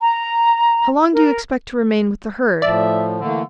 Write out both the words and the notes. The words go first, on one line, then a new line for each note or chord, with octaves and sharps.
How long do you expect to remain with the herd?
A#5
A#4
A2 F3 D5 E5
D3 E3 A3 A#3